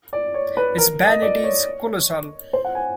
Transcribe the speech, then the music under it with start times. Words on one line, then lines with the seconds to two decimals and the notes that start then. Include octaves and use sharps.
His vanity is colossal.
0.13 D5
0.34 C#5
0.57 B4
0.78 A#4
1.07 D#5
1.22 D5
1.44 C#5
2.53 C5
2.65 F#5
2.75 G#5